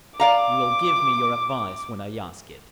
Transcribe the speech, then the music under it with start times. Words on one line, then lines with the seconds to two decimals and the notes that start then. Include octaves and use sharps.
You will give me your advice when I ask it.
0.20 D5 F5 A#5 D6